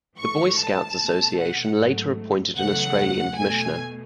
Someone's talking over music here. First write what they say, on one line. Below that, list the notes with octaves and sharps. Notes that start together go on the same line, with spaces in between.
The Boy Scouts Association later appointed an Australian Commissioner.
G#2 E3 A3 C#6
A5
B2 A3
F#5
G#2 F#3 A3
E2 C#3 F#3 A3 F#5
B2 A3 G#5